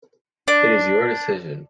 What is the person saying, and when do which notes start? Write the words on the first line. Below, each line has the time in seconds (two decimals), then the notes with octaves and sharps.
It is your decision.
0.48 D4